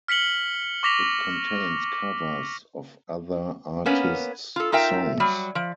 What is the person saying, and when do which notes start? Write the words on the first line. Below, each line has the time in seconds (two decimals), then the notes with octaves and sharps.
It contains covers of other artists' songs.
0.08 F6 B6 C#7 F#7 G7
0.83 C#6 D6 A#6 B6 F7
3.86 A#3 B3 C#4
4.56 F4 A4
4.72 D#4 F4 A#4 E5 G5
5.20 F#3 G3
5.55 F3